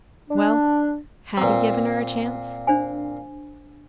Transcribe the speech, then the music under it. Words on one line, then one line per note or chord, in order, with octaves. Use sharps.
Well, had he given her a chance?
D4
A#2 C4 B4 A#5
D4 C5 G#5